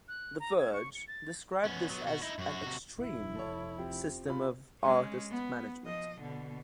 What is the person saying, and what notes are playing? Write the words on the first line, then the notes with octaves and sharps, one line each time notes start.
"The Verge" described this as an "extreme" system of artist management.
F#6
A#5
G#6
C#6
C#7
A6
B3 C#4
F#3 B3
B3 F#4
D#4 E4
F#2 F#4
C3 F#4
F1 E4
A4 C#5
F3 C4 G4
C#3 F4 B5
G#3 C#4
B3
F3 D#5
B2 D3